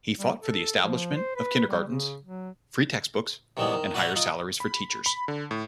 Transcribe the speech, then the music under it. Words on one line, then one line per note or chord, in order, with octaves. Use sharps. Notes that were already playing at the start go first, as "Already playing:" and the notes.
He fought for the establishment of kindergartens, free textbooks, and higher salaries for teachers.
G3
A4
F3
C5
B4
G3
C#3
F#3
C3 D#3 E3 G3 G#3 B3
D#3
F#4 B4 D5 E5 F#5 A#5
D#4 F4
B5
B5
D3
A2